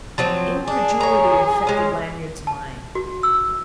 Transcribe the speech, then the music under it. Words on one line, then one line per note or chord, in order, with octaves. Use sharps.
Incredulity infected Lanyard's mind.
F3 F#3 C4
D4 G#4
C#5 A#5
G#3 C#4
A5
F#4
E6